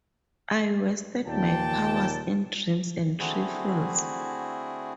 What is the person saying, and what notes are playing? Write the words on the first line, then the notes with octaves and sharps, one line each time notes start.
I wasted my powers in dreams and trifles.
D#2 A#2 G5 A5
D3 A3 C4 E4 F#4 G#4